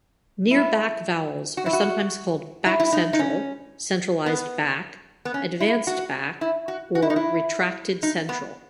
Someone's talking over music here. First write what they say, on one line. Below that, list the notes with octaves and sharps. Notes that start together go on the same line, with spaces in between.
Near-back vowels are sometimes called back-central, centralized back, advanced back or retracted central.
E4
F#4
E4
F#4
E4
E4
D#4
D#4
C#4
B3
B3
C#4
E4
F#4
E4
F#4
F#4
E4
D#4
E4
D#4
B3